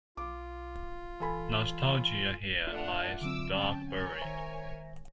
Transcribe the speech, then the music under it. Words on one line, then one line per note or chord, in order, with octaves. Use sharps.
Nostalgia Here lies the dog buried.
B1 F4 D6
E3 A4 G#5 B5
A3 D4 F4 E5 F#5
D3 F#3 C4 D6 E6
C#4 G5 A5
A#4 C#5 G#5
D#3 C5 E5 A#5 A#6